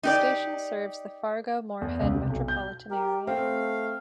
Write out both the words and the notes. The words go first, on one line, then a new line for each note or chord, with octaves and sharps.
The station serves the Fargo-Moorhead metropolitan area.
D#4 G4 D5
E2
C#2
C3
B1
G6
G4 A#4
A3 C4 F5